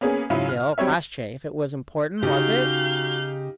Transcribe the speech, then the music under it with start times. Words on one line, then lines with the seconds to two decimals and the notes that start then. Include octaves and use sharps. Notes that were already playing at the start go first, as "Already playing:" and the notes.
"Still, Crossjay, if it was important--was it?"
0.01 A#3 B3 C#4 G#4
0.30 G#2 C#3 F#3 C#4 E4 F4
0.49 F6
0.78 F#3 G3 C4 C#5 E5
2.23 C#3 D#4 F#4 G4 F5 G6